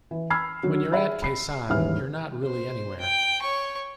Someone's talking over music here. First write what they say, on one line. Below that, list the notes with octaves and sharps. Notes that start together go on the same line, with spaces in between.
When you're at Khe Sanh, you're not really anywhere.
E3
B5 E6 F6 G#6 C7
D3 D#3 F#3
G#4 E5 B5
B5 C7
D#1 D#2 G#2 E3 F6
C5
G5
C#5 C#6